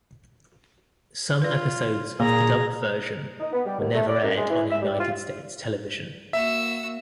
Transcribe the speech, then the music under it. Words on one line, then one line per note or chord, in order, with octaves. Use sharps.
Some episodes of the dubbed version were never aired on United States television.
F4 B4 D5
A#2 A#3 G#4 A#5
D#4
B3
G3
D#2
A3
D5
F#2
G#3
E3
E5
G3
F4
A#3 F#4 E5 E6